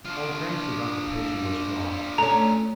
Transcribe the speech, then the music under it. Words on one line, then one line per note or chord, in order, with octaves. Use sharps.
Old Grannis's occupation was gone.
D4 F4
A3 C#4 A#5